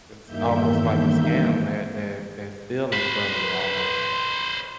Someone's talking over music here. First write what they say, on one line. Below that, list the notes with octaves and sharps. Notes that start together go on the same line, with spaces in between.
It's almost like a scam, they're they're they're stealing from you almost
E2 G2 D#3 A#3 E5 G6
B4 C5